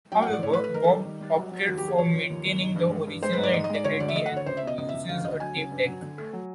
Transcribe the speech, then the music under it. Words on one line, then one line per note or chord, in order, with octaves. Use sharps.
However, Bob opted for maintaining the original integrity, and uses a tape deck.
F#3 G5
F#5
A2
D5
A2 C#5
B4
A3
B4
D#3 A#4
A4
G3
D#3
G3
F#3
F#3
D#2 F#4
F#3 G4
G#4
F3 C#5
F3
D#2
D#2
D#3
G2
G#3
G2
G#3 C5
G#2 B4
D5
G#2 D#5
D#5
G#3
D5
D2 C#5
D2 D5
E5
A3 D#5
F#5
D2 C#5
C#2 C5
E5
B2 D#5
C#2 D#5
C#2 E5
D2 F5
D2 D#5
F#3 G#5
C#3
G2
F#3
D3
A3
F#3